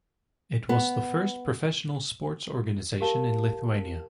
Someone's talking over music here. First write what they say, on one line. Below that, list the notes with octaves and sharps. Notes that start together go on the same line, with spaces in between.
It was the first professional sports organisation in Lithuania.
B3
G4 A#4 F5 A5